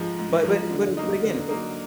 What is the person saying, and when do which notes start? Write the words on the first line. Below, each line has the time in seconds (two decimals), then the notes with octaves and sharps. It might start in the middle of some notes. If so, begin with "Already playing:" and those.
But but but a but again, it's like
Already playing: G#2 F3 G#3
0.19 G#2
0.44 F3 G#3
0.71 D3
0.97 F#3 A#3 D#4
1.24 D3
1.49 F#3 A#3 D#4